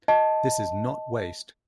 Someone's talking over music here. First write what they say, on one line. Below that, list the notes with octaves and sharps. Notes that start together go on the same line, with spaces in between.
This is not waste.
D#5 A5